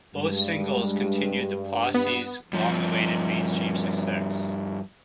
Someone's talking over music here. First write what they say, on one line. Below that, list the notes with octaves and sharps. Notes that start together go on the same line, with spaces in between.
Both singles continued the Posse's long-awaited mainstream success.
G2 G3 G#3
B3
G2 F3